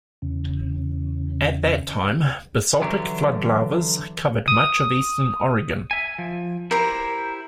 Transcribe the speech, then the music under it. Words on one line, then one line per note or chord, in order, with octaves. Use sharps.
At that time basaltic flood lavas covered much of eastern Oregon.
E2 C#3
D3 E3 F#3 D4 F#4 G4
D#6
E5 G#5
F3
E4 G4 A#4 C5 A#5